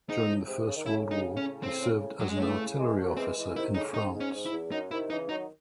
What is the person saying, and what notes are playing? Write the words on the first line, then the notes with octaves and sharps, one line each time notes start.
During the First World War, he served as an artillery officer in France.
G#2 D#4
A2
G#2 C3
C#3
D#3
A2 C#3 E4
D#4
C#4
C4
F#3
G#3
F#3
C#3 E3 A3
A2 C#3
E3 G#3
F#3 A3
A3
E3 G#3 C4
E3 G#3
E3
C3 D#3 E4
A2 C#3 D#4
G#2 C3 D#4
G#2
C#4
G#2
E4
E2
F#2 D#4
C3 D#3 E4
C#3 E3 D#4
D#3 F#3 D#4